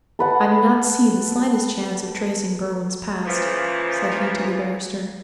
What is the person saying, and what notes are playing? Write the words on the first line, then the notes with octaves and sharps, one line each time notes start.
"I do not see the slightest chance of tracing Berwin's past," said he to the barrister.
A4 B4 F#5
A#2 C#3 E3 F3